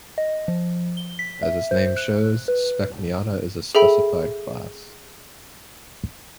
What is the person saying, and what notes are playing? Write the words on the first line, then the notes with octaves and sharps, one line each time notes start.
As its name shows, Spec Miata is a "specified" class.
D#5
F3
G7
B6
E5
C5
F#6
B4
G#4 A4 E5 G5 B5